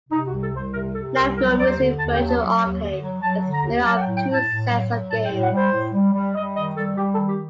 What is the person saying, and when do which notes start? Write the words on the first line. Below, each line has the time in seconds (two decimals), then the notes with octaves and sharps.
"Namco Museum Virtual Arcade" is made up of two sets of games.
0.09 C3 D#4
0.25 F#4
0.31 C2
0.41 A4
0.52 C2 C5
0.72 C3 A#4
0.93 C3 A4
1.14 C2 A#4
1.35 F#3 A#4
1.56 D#2 D5
1.66 C5
1.77 D3
1.97 D#2 A5
2.13 G5
2.18 F#3
2.28 A5
2.39 F#3
2.59 D#2
2.81 D3
3.01 F#3
3.21 F#3 A5
3.43 D3
3.53 A#5
3.64 D#2
3.85 F#3 A5
3.95 F#5
4.00 G5
4.05 A2
4.16 G5
4.26 A2
4.32 A5
4.46 A2
4.68 F#3
4.88 F#3
5.09 A2 A5
5.25 G5
5.30 A2
5.41 F#5
5.51 G3
5.56 C5
5.72 A2
5.93 G3
6.13 G3
6.34 G3 D#5
6.55 D#3 D#5
6.75 G3 A4
6.96 G3 G4
7.13 A4
7.17 D#3
7.28 G4